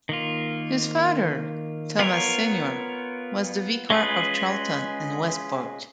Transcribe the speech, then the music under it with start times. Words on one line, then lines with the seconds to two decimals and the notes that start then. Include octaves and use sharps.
His father, Thomas Senior was the vicar of Charlton and Westport.
0.09 D#3 A#3 F4
1.99 B3 F4 A#4 C#5
3.90 G#3 C#4 F4 G#4 B4